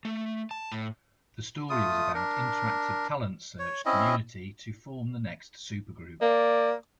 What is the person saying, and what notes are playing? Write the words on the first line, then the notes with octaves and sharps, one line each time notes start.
The story was about interactive talent search community to form the next Supergroup.
A3
A5
A2
A3 F4 D#6
D4 A#4
C#5
C4 C#4 E4 D#5
A#3 D5